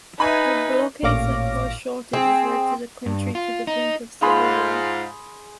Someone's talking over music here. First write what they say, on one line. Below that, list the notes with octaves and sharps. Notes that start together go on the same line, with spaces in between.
The blockades that caused shortages led the country to the brink of civil war.
D#4 B4 E5 G#5 B5
A1 A#2 C#5 F5 D6 A#6
C4 G#4
G2
F4
D#4
G#2 F4 G#4 B5 C6